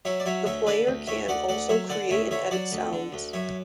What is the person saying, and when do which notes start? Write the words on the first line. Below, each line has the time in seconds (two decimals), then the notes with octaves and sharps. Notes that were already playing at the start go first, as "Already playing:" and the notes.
The player can also create and edit sounds.
0.05 F#3 C#5 E5
0.20 D5
0.26 F#3 C#5 E5
0.46 D2 C#5 E5
0.67 D3 B4 D5
0.87 D2
1.07 D2 C#5 E5
1.28 D2 D5 F#5
1.49 D2 D5 F#5
1.69 F#3 C#5 E5
1.90 D3 D5 F#5
2.10 D2 C#5 E5
2.31 D3 C#5 E5
2.51 F#3 D5 F#5
2.72 D2
2.93 D3
3.12 D2
3.33 F#2 C#5 E5